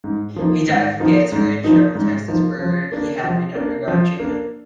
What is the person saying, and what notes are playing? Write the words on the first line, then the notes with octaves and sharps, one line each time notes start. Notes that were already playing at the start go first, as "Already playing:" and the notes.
He died from cancer in Sherman, Texas where he had been undergoing treatment.
G#2
F3 A#3 D#4
G#2
F3 A#3 D#4
G#2
F3 A#3 D#4
G#2
F3 A#3 D#4
F3
A#3 D4
F3
A#3 D4
F3
A#3 D4